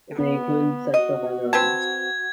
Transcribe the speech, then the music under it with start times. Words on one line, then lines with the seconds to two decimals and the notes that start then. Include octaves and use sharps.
It may include sexual minorities.
0.16 B3
0.94 F#4 D#5
1.53 C4 B4 A5 G#6